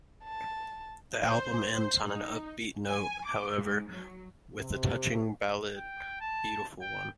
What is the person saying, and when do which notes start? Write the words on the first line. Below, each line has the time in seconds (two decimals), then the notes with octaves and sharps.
The album ends on an upbeat note however, with the touching ballad, "Beautiful One".
0.24 A5
1.23 C5
1.74 C5
2.06 D#4
2.88 G#5
3.25 D6
3.56 G#2
3.89 F#3
4.56 C3
5.77 G5
6.21 A5
6.81 G5